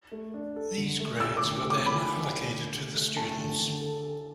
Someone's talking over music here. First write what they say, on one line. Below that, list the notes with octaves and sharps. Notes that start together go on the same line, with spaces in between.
These grades were then allocated to the students.
A3
D4
A4
D3
A3
A3 E6
D6
D3
A3
D6
D3 B5
D3
A3
D3
A3
A3
A3 A5
D3
D3
A4
A4